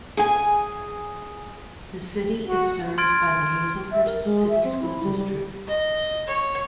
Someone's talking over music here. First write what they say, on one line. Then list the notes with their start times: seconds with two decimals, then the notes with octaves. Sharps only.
The city is served by the Hazlehurst City School District.
0.17 G#4 G#5
2.48 F#4
2.98 C6 F6 G#6 A6 D7
3.92 E5
4.06 A#4
4.24 G#3
4.49 E5
4.64 C4
4.80 E4
5.03 G3
5.17 G3
5.67 D#5
6.27 C#5